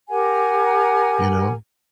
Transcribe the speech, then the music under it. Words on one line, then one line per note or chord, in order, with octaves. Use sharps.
You know?
G4 A#4 F#5 G#5